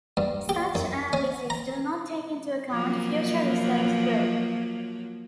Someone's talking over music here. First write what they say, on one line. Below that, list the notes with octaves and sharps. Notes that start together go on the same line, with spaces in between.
Such analyses do not take into account future reserves growth.
G2
G4
F#2
C#4
A#5
F3 F#3 A#3